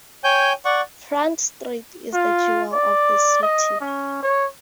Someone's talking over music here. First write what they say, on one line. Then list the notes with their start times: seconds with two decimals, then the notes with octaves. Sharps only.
Front Street is the jewel of the city.
0.24 C#5 G5 G#5 G6
0.65 D5 F#5 C#6
2.13 F4
2.73 D5
3.43 D#5
3.81 C#4
4.23 C#5